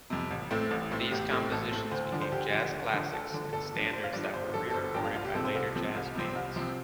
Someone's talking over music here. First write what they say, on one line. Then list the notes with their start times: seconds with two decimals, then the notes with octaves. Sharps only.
These compositions became jazz classics and standards that were re-recorded by later jazz bands.
0.10 F2 C3
0.31 A1
0.51 A2 A3 C4
0.71 A1
0.91 A2 A3 C4
1.11 A1 G4
1.31 A2 A3 C4
1.51 A1 A4
1.71 A2 A3 C4
1.91 D2 C5
2.12 D3 F3 D4
2.22 C5
2.32 D2 G4
2.52 D3 F3 D4
2.73 D2
2.93 D3 F3 D4
3.12 D2 A4
3.33 D3 F3 D4
3.53 G1 A4
3.73 G2 F3 D4
3.93 G1 C5
4.04 F5
4.13 G2 D5
4.16 F3 D4
4.24 D5
4.33 G1 C5
4.54 G2 F3 D4 A4
4.70 A4
4.74 G1 C5
4.84 A4
4.94 G2 F3 D4 G5
5.04 F5
5.15 C2 F4
5.25 G4
5.34 C3 F3 C4 A4
5.45 C5
5.55 C2 A4
5.75 C3 F3 C4
5.95 C2
6.15 C3 F3 C4
6.35 C2
6.56 C3 F3 C4